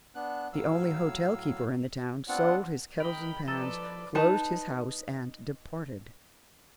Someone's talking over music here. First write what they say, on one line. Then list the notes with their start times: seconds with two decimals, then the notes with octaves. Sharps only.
The only hotel-keeper in the town sold his kettles and pans, closed his house, and departed.
0.15 B3 D4 F#6
0.53 A2 F#3 F5 E6
2.28 B3 C4 D4 F4 F#5
3.00 A#4 D#5 G5 B5
3.48 F3 A4 B4 D5 D#5 A#5 E6 A6
4.15 D#4 B4 A5